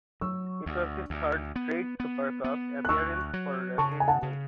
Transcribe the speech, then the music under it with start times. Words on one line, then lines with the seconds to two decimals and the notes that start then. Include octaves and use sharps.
It was the third straight Supercup appearance for Rapid Wien.
0.21 F#3 C#6 E6
0.66 D2
1.10 D2
1.56 B3
2.00 B3
2.44 B3
2.85 F#6
2.89 D2 C#6 E6
3.34 F#3
3.78 C#3 A5 C#6
4.00 G#5
4.08 F#5 A5
4.23 C#3